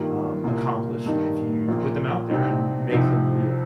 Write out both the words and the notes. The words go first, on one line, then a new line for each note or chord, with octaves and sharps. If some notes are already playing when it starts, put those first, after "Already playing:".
um, accomplished if you put them out there and m make them real.
Already playing: G2 D#3 A#3 F4
C2 A#2 A#3 F4
G2 D#3 A#3 D#4
A#1 A#2 A#3 F4
C2 C3 G3 C4 D#4
C2 C3 F3 D#4